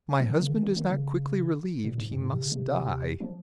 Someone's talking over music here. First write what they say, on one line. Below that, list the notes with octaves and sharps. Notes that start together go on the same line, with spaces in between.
"If my husband is not quickly relieved, he must die."
F3
D#3
C#3
D#3
D#3
D#3
C#3
A#2
G#2
G2
G#2
C3
C#3
C3
F3